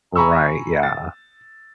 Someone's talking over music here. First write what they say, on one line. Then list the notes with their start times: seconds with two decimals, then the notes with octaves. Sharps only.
Right. Yeah.
0.15 G#5 A#5 B5 C#6 E6
0.83 A6